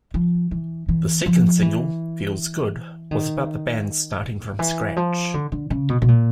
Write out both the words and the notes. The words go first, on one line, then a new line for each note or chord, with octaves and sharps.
The second single "Feels Good" was about the band "starting from scratch".
F3
E3
E3
F3
E3
D#3
E3
F3
D3
D3
C#3
B2
B2
A#2